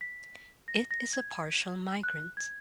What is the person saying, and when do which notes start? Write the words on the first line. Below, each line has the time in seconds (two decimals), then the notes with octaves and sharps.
It is a partial migrant.
0.01 B6
0.68 A#6
0.91 A#6
1.13 G#6
2.03 F#6
2.37 G#6